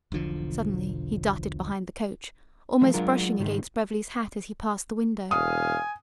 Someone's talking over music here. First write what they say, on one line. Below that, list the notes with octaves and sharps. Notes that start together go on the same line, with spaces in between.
Suddenly he darted behind the coach, almost brushing against Beverly's hat as he passed the window.
E1 B1 D3 F3
E3 F3 G#3 A3
F#3 G#3 D4 F4 A#4
C#2 G#2 D#3 G3 G#3
E1 F5 G#5 D#6